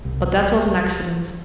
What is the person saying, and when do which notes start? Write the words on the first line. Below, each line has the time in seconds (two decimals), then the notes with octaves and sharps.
But that was an accident.
0.05 C2